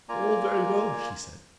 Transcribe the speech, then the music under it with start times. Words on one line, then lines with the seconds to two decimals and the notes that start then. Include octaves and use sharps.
"All very well," she said.
0.09 A#3 F4 D5 G#5 A#5